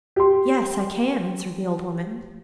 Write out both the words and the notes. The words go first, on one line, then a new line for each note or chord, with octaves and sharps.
'Yes, I can,' answered the old woman.
G4 C6